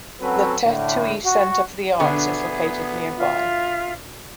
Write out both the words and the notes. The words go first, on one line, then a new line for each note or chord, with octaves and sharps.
The Te Tuhi Centre for the Arts is located nearby.
F#3 C4 C#4 F#4 A4 B4
A2 D3
F#4
B2 D3 B3 G#4 E5
F4 E5